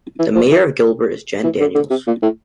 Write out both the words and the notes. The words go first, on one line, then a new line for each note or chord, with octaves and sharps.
The mayor of Gilbert is Jenn Daniels.
E3
F3
E3
E3
D3
D3
C3
A#2
A2